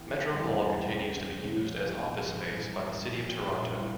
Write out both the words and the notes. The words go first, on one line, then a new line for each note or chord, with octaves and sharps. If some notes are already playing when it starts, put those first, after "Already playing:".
Metro Hall continues to be used as office space by the City of Toronto.
Already playing: C2 C3 E3 G4
E1 E2 E3 G3
F4
E1 E2 C#3 G4
G#4
G4
G#4
C2 C3 F3 C5
C#5
G#5
G5
A#1 G#2 F3 F5
G#5
A#1 G#2 E3 G3 G#5
G#5
A#5
A#5
C2 A#2 F3 G#5
G5
A#1 A#2 G3 E5
E4
F4